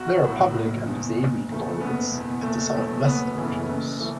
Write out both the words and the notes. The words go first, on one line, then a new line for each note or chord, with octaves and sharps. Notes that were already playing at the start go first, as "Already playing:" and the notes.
There are public and disabled toilets at the south-west entrance.
Already playing: B1 F#4
A2 F#3
F#1
E2 B2
F#1
E2 C#3 A3
F#1 B3
E2 B2
F#1 A3
E2 B2 F#3
F#1 B3
F#2 C#3 E3 A3
F#1
E3 A3